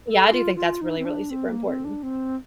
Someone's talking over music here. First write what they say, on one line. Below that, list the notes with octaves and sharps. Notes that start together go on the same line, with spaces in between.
yeah, I do think that's really, really super important.
A4
F4
F4
D#4
C4
D4
C4
A#3
C4
D4
C4